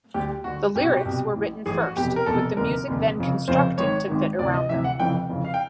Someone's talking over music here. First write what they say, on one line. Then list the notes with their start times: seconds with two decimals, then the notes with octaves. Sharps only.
The lyrics were written first, with the music then constructed to fit around them.
0.14 D2 D3 G4
0.44 D2 D3 F#4
0.75 C2 G4
0.79 B2 F#4
0.93 G4
1.05 C2 B2
1.35 A1 A2 E3
1.66 A1 A2 E3 G#4
1.81 F#4
1.96 F1 E2 B2 G4
2.16 A#4
2.26 F1 E2 B2 A4
2.57 F1 D#2 D3 A#4
2.88 F1 D#2 D3
3.17 F1 F2 C#3
3.48 F1 F2 C#3 C5
3.78 G#1 G#2 D#3 C#5
4.08 G#1 G#2 D#3
4.39 D2 C3 E3 D5
4.54 D#5
4.69 D2 C3 E3 E5
4.84 F#5
4.99 F1 F2 C#3 E3 G5
5.29 F1 F2 C#3 E3
5.45 F5
5.54 G5